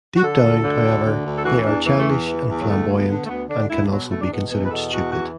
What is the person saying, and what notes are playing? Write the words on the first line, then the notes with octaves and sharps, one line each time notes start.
Deep down, however, they are childish and flamboyant, and can also be considered stupid.
F#4
D3 A4
D2
D3
D2
D3
D2
A4
E3 F#4
E2 D4
E3 B3
A3
E2
B3
E3
E2
F#3
D3 A3
D2
B3
D3
A3
D2 B3
D3 D4
D2 E4
B2 F#3
E2 A3
D4
B2 B3
E2 B3
B4
B2 A4
E2 F#4
E3 F#4